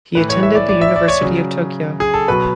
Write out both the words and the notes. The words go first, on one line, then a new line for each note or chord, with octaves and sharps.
He attended the University of Tokyo.
A2 E3 B4
C#5
E5
D5
D5
E5
D5
C#5
C#3 F#3
G#4
A4
B2 F#3 B4